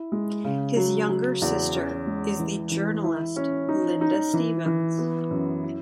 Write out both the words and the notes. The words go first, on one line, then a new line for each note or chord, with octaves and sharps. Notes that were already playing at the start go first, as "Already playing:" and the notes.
His younger sister is the journalist Linda Stevens.
Already playing: E4
G#3
C#3
F#3
F#3
E2
C#4
G#3
E3
E3
E4
C#4
D#4
D#4
E3
E3
B3
F#2
E4